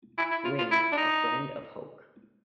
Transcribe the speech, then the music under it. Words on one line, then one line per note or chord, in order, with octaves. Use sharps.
Wynne, a friend of Hoke.
E4
E4
F4
F4
E4
D4
D#4